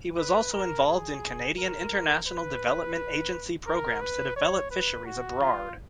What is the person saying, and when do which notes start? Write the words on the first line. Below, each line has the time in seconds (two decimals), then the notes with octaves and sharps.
He was also involved in Canadian International Development Agency programs to develop fisheries abroard.
0.18 B4
0.53 A#4
0.88 G#4
1.57 A#4
2.27 B4
3.66 A#4
4.01 B4
4.36 C#5
4.71 B4
5.06 F#4
5.41 F4